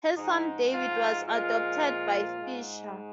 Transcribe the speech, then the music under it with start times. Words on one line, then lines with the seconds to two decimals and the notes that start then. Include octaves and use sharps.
Her son David was adopted by Fischer.
0.16 G#2 F3 G#3 D#4
0.72 F4
1.27 A#2 F3 G#3 F4
2.39 G#2 G#3